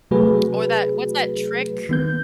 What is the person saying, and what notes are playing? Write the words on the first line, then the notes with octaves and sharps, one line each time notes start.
Or that what's that trick?
C3 F#3 A3 F#4 G#4 B4
D#3 B3 G6